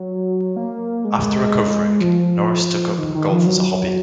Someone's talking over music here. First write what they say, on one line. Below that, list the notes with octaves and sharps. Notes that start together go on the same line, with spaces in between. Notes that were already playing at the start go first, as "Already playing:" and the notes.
After recovering, Norris took up golf as a hobby.
Already playing: F#3
A#3
G#3
F3
D#3
D#3
F3
F#3